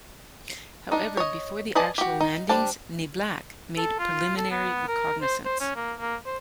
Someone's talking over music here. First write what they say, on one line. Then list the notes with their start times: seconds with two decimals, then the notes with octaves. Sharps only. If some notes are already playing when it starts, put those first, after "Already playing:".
However, before the actual landings, "Niblack" made preliminary reconnaissance.
0.92 D4 D#4
1.17 C#5 D#5
1.75 B4 D5 D#5 G#5 A5
1.98 F#4 G4
2.20 D#4
2.49 G3 D4 C5 A5
3.77 A4
3.99 F4
4.37 A4
4.51 B3
4.88 A#4
5.21 C5
5.45 C5
5.60 C#4
5.76 A#3
5.99 A#3
6.26 C5